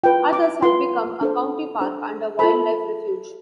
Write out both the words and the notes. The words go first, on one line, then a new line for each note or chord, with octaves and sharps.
Others have become a county park and a wildlife refuge.
F4 B4 G5
D6
F4 B4 C6
D4 A4 C5
D4 A4 C5
F4 A4 C5 B5